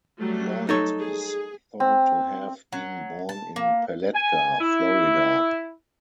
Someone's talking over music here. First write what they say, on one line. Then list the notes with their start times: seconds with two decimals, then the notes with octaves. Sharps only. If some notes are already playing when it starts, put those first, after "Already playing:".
Lloyd is thought to have been born in Palatka, Florida.
0.20 F#3 G3 A3
0.69 D#4 A4 C#5
1.00 G#4
1.80 C4
2.72 F#3
3.29 A5
3.56 A#3
4.15 G#5
4.61 E4